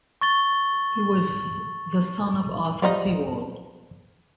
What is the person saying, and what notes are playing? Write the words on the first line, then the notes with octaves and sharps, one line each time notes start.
He was the son of Arthur Sewall.
C#6 A6 G7
F3 G3 D#4